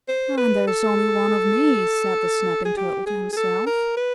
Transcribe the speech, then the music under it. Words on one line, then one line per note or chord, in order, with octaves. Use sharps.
"And there is only one of me," said the Snapping Turtle to himself.
C5
B4
A4
G#4
G4
G#4
G#4
A4
A#4
B4